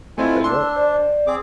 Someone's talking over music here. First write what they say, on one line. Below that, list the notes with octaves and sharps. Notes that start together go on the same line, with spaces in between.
That's right.
A3 C4 E4 F4 D#5 G#5
D4 C6 E6
C5 D5
C4 G#4 D6